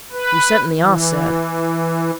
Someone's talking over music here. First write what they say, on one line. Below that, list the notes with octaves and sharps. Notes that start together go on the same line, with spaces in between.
"You certainly are, sir."
B4
E3